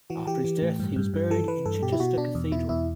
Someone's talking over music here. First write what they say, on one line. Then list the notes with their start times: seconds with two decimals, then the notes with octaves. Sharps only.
After his death, he was buried in Chichester Cathedral.
0.10 E3 F#4
0.27 E3 G4
0.44 E3
0.62 A2
0.80 G2
0.96 G2
1.14 G2
1.31 E3 A4
1.48 E3 B4
1.66 G2 A4
1.82 B2 G4
1.92 E4
2.00 B2 F#4
2.17 B2 D4
2.35 E2
2.52 B2 E4
2.69 E2 E4